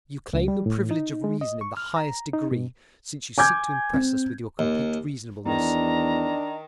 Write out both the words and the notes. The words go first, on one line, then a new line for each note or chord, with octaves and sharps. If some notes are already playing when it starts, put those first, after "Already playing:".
You claim the privilege of reason in the highest degree, since you seek to impress us with your complete reasonableness.
C#2
G3
A2
D#4
G#3
D#5
C#6
F6
A#5
D#4
B2
G#5 D6 G6 G#6
C4
D#2
E2 D#3 D4 A#5